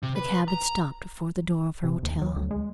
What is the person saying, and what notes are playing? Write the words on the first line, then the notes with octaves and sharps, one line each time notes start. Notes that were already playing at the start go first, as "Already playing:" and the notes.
The cab had stopped before the door of her hotel.
C3
B4
A#5
C3
D#2
F#3
D2
G#3